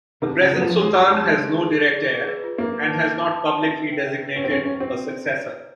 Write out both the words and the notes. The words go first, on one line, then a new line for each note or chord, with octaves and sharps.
The present Sultan has no direct heir, and has not publicly designated a successor.
C3 A5
C#5
C#3
F#3 G#4
F3
C#5
G#3 C#5
G3 C#5
G#3 A5
G#3 G#4
G#4
G#4
G#4
G#4
G#4
G#4
B4
F4
A#3 E5
B4
A5
E5
A5
A5
A5
E5
B4
G5
E5
B4
C#4 B4
C4
C#4 G5
C#4 E5
C4 B4
E5
E5
A#5
C#5
E5